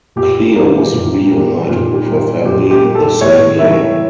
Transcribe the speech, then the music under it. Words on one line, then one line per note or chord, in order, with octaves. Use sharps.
Cleo was reunited with her family the same day.
A#2 G4
G3 A#3
A#2
G3 A#3
A#2
G3 A#3
A#2 G4
G4
G3 A#3
A4
A2 C#5
E3 G3 A#3 E5